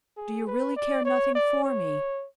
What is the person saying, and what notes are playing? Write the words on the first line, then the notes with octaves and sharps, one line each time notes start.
Do you really care nothing for me?
G#4
B4
D5
C#5
D5
C#5